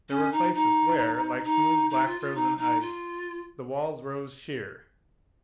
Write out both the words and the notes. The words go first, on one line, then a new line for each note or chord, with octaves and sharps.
There were places where, like smooth black frozen ice, the walls rose sheer.
C#4
D#4
D#4
D#4
D#4
F4
F4
D#4
D#4
F4